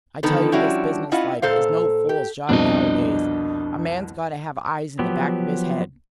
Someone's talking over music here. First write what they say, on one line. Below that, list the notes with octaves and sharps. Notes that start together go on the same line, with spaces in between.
I tell you this business life is no fool's job nowadays--a man's got to have eyes in the back of his head.
D3 D#3 B3 D#4 A4
F3 G3 C#4 D4 E4 F#4
C#4 E4 F4 D#5 F#5
A#2 A4 C5 F5
G4
C2 F2 B2 D4 D#5
F3 F#3 B3 G4